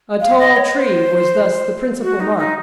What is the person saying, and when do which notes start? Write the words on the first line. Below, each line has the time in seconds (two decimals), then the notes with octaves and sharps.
A tall tree was thus the principal mark.
0.20 F5
0.38 D#5
0.56 C#5
0.74 C5
2.01 F#4
2.20 D#4
2.37 D#4